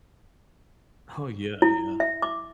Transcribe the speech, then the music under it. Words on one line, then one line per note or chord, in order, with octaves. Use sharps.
Oh yeah, yeah.
E4
E5
D6